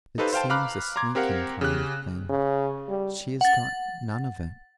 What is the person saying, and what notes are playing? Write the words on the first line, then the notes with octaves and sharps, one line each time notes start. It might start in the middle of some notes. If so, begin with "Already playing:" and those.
It seems a sneaking kind of thing: she has got none of it.
D#4 G4 A4 B4 C5 F5
C5 F5 G5 A5
F5 A#5 B5 D6 F6 F#6
A#5 C6 D6 G#6
C4 G4 A#4 F5 F#5
C#3 G4 F#6
C#3
G3
F#5 A6